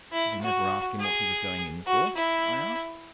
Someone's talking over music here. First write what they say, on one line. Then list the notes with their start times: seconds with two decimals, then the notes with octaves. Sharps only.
"Did you never ask him what he was going in for?" I asked.
0.12 E4
0.41 F#4
0.99 G#4
1.86 F#4
2.15 E4